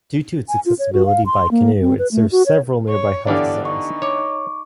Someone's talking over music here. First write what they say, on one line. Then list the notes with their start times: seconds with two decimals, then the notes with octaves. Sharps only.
Due to its accessibility by canoe it served several nearby health zones.
0.48 G#5
0.66 F4
0.79 C#5
0.93 F#4
1.06 F5
1.26 C6
1.51 A#3
1.81 C4
1.99 B4
2.12 A3
2.32 F#4
2.46 C#5
2.89 C#5
3.27 D3 E3 B3 D4 G4 D5 F5
3.65 D#4 C#6
4.02 C#5 C#6 D6